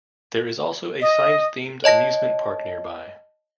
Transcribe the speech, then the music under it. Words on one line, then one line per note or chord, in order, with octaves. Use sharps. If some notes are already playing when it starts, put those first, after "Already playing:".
There is also a science-themed amusement park nearby.
D#5
C#5 D#5 A5 A#6